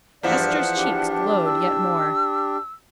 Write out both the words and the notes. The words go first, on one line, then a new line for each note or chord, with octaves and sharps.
Ester's cheeks glowed yet more.
E2 G2 F3 E4 D5 F#5
D4 G4
E6